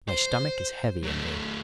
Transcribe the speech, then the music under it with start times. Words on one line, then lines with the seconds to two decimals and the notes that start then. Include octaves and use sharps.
My stomach is heavy in me.
0.09 C5
1.04 F#3 A3